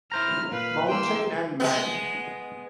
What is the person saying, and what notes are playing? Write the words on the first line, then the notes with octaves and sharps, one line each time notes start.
Mountain and man.
E4 C5 A#5 F6
A#2 B4 F5
E3 A#3 G5 C6 E6
G#3 B3